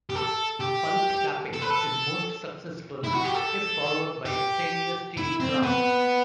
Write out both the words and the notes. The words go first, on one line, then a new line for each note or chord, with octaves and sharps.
Pulp capping is most successful if followed by a stainless steel crown.
G4
A4
G4
A4
B4
A4
E4
F#4
G4
A4
G4
E4
C4
B3